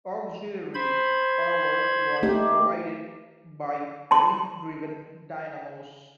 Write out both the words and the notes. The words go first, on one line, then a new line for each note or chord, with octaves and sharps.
Auxiliary power was provided by wind-driven dynamos.
C5 B5 G#6
A3 D#4 G4
A5 C6